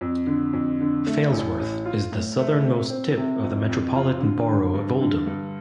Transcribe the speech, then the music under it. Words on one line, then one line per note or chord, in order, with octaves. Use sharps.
Failsworth is the southernmost tip of the Metropolitan Borough of Oldham.
F2
D3
F2
D3
A3
A1
A1
F4
A2
A3
C4
C4
C3
F2
F2
F4
D3
D3
G2
D3
G2